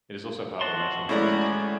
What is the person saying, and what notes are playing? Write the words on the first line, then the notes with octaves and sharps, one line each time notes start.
It is also part of the National Highway System.
F#4 A5 C6
A2 G#3 C#4 E4 F#4 D5 A#5